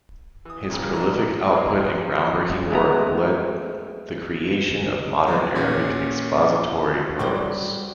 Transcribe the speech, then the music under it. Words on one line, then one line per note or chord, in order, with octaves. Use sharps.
His prolific output and groundbreaking work led the creation of modern Arabic expository prose.
E3 D#6
G2 A#2 C#3 E3
D4 A4 D#5 A#5
A#2 E3 G#3 A#3 D#4 G#4
F#3 F4 C5
G#3 A3 B3 A#5
F#3 C5
A#2 C#4 F#4
F#3 G3 C5